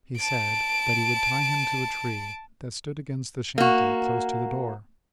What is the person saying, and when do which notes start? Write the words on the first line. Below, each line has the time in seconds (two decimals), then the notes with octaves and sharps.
He said that he would tie him to a tree that stood against the shanty close to the door.
0.17 A5 D7
3.58 A#3 F#4